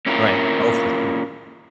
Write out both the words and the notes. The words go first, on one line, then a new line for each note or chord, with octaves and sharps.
Right. Oh, for sure.
A#3 C#4 E4 F4 A#4